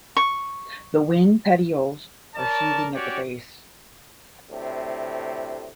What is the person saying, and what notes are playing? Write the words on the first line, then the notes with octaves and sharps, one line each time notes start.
The winged petioles are sheathing at the base.
C#6
A#4 C#5 D5 A5
C#4 F#4 G4 C#5 D5 G5
D2 A2 C3